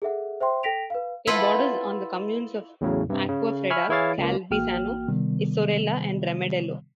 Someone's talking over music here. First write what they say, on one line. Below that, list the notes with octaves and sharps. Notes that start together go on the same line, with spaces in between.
It borders on the communes of Acquafredda, Calvisano, Isorella and Remedello.
G#4 A4 E5 F#5
C5 E5 G5 C6
A4 G5 A#6 B6 D7 F7
B4 F5
E4 F4 A4 B4 D5 F#5
E2 A2 C#3 F#3
G2 C3
C#3
E5 G#5 B5 C#6 F6
E3 E4 G#4 C#5 F5 A6
C#2 A#3
A1 A#3 F#4 G5 F6
C3 D#3 G3 B3